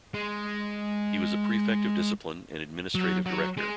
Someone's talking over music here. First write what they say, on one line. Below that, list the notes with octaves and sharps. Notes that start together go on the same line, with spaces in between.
He was a Prefect of Discipline and Administrative Director.
G#3
F#3
F#3
G#3